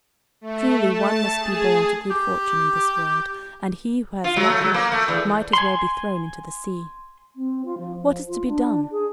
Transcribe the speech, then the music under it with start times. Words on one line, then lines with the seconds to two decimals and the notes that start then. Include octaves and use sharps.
Truly one must be born to good fortune in this world, and he who has not luck might as well be thrown into the sea. What is to be done?
0.41 A3
0.90 A5
1.39 G#4
2.10 G4
4.24 F4
4.36 F#3
4.50 A3
4.61 F#3
4.74 A#3
4.92 A3
5.08 E2
5.53 G#5 C6
7.36 C4
7.65 F4
7.78 F3
8.28 F4
8.47 D4
8.92 G#4